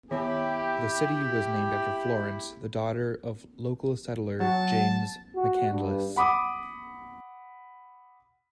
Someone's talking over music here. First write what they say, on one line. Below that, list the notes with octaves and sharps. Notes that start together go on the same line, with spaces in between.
The city was named after Florence, the daughter of local settler James McCandless.
D#3 B3 E4 G4 C#5
F#3 F#5 A5
F#4
G2
F#5 B5 D6 D#6